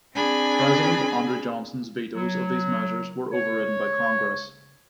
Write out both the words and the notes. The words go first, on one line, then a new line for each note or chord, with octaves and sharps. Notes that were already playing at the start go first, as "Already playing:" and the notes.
President Andrew Johnson's vetoes of these measures were overridden by Congress.
C4 D4 G#4 G#5 B5
F#3
C#5